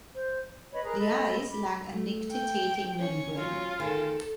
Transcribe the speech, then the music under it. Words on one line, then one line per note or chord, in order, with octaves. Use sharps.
The eyes lack a nictitating membrane.
C5
B4 C#5 D#5 B5
G#4 A#4 A#5 F#6
A4 D#5 B5 C6
B5 D6
A3
G5
C#4 C#5
F#3 F4
D2 D#3 G#4 A4